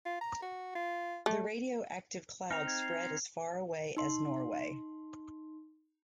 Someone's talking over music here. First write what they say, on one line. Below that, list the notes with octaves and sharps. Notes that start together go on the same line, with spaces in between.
The radioactive cloud spread as far away as Norway.
F4
A#5
F#4
F4
A3
C4 D#4 F6 F7
G#6
C7 F7
D#4 C6